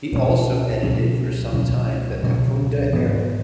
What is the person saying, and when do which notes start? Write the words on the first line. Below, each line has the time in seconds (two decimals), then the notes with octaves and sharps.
He also edited for some time the "Kapunda Herald".
0.13 C#2 B2 F#3 C#4
0.83 C#2 B2 F#3 C#4
1.53 C#2 B2 F#3 C#4
2.22 C#2 B2 F#3 C#4
2.93 G#2 E3 B3